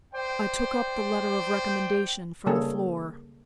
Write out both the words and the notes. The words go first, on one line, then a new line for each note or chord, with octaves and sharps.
I took up the letter of recommendation from the floor.
C5 D5 G5
C#3 G3 A#3 G#4 A4 C#5